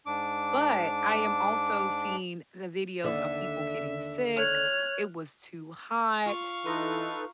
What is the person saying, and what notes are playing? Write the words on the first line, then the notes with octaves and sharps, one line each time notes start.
but I am also seeing the videos of people getting sick, it was too hot,
G#2 D4 D6
D#2 D3 E5
C#5 F6 F#6
F4 F5 C#6 F6
E3 D#4 A4 B4 A#5 C6 D#6